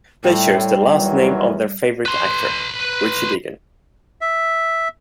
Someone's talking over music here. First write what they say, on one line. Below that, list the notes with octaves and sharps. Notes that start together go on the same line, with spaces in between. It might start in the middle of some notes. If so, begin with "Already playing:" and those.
They chose the last name of their favorite actor, Richard Egan.
A2 G3 C4
E2 D#3 F#3
B4 C6
E5